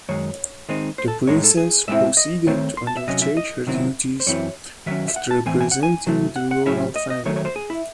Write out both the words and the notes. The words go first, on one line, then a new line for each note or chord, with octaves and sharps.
The princess proceeded to undertake her duties of representing the Royal Family.
F#2 D#3 G#3 C#5
D#3 G#3 C4 D#4
C5
A4
A2 G#3 D#4 C#5
A4
G#4
A2 G#3 C4 E4 E5
D#5
D#3 A3 C4 C#5
C6
A5
E5
C3 F#3 C#4 D#5
E5
D#5
C3 D#3 F#3 C4 E4
C5
F#2 E3 C4 E4 C#5
D#3 F#3 C#4 E5
E5
F#5
A5
A2 E3 C4 G#5
G#5
F#5
G#5
C3 F#3 A3
F#5
F#5
A2 F#3 C#4 E4 E5
D#5
D#5
D#3 F#3 A3 C#5
C#5
C5
G#4
E4